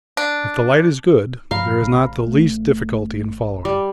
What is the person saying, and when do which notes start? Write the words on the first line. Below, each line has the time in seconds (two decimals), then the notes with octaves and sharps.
If the light is good there is not the least difficulty in following.
0.17 D4
1.51 G2 F3 F5 A#5 B5
1.81 A1 C#3
2.27 A3
3.65 G3 D6